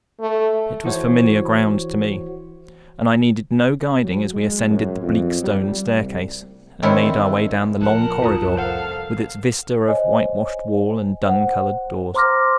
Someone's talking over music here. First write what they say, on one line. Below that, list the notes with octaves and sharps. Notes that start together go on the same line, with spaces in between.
It was familiar ground to me, and I needed no guiding as we ascended the bleak stone staircase and made our way down the long corridor with its vista of whitewashed wall and dun-coloured doors.
A3
E3 E4 F#4 C5 C#5
F#3
G#3
F#2
F2
G3
C2
D#3 E3 C4 D4 E4 C#5
A#1 F3 A#4 F#5 A5
C2 F2 A2 F4 A#5 D#6
A4 A#4 C5 F5 F#5
C5 C#5 D#5 G#5
C5 F#5
C5 A#5 C6 D6 F6 A#6